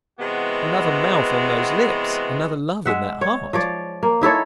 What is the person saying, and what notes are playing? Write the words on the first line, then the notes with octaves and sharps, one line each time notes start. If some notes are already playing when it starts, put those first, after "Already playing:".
Another mouth on those lips, another love in that heart!
C3 E3 G#3 B3 F#4
G#3 E5 F#5
C#5
F3 C#5 D5
A#3
D#4 E4 A4 C#5